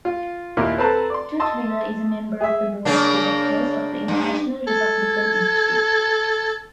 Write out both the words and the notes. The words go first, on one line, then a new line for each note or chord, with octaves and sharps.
Tutwiler is a member of the board of directors of the International Republican Institute.
F4
D#2 A#2 E4 A#4 D6
C4 A4 B4 C5 A5 A#5
D5 C6
D#5 A5 C6 E6
G#4 E5
C#3 A#3 D4
G2
A4 G#6